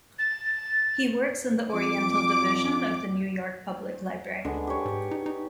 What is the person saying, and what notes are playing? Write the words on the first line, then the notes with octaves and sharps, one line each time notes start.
He works in the Oriental Division of the New York Public Library.
A6
F2 D6
D2 D3 G#3 B3
G4 C#5
G#2
D#4
D#4